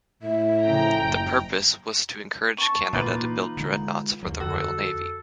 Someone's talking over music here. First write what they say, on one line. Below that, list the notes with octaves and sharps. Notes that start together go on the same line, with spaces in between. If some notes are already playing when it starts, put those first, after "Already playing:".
The purpose was to encourage Canada to build Dreadnoughts for the Royal Navy.
A2 E5
C#3 F3 G5 A#5
F#1
A5 C#6
A#2 E3 A#3 D#4 F4 B4 D6
D3 G#3
D#2 F#3
F2 D3 F#4 A4